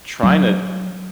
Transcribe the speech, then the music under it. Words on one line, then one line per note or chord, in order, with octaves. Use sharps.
trying to
F#3